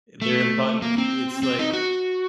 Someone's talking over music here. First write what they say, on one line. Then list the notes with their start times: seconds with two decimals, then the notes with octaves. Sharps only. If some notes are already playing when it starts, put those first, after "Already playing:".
uh, they're in part you ca it's, like
0.22 A3
0.82 A#3
0.98 C4
1.43 C4
1.59 D#4
1.73 F#4